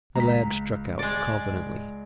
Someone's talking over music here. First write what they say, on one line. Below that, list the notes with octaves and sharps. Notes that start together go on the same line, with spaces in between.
The lad struck out confidently.
C#2 A#5 B6
G#3 D5